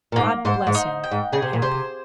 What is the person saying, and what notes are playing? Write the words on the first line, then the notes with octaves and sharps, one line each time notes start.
God bless him!--happy.
A#2
G#2 A#3
G#2 C5
G#2
D#4
G5
G#2
C#3 G#4
C3
A#2
C3 C5